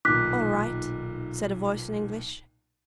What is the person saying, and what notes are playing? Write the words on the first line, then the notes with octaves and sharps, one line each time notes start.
"All right," said a voice in English.
B1 A#2 D#3 D6 F#6 B6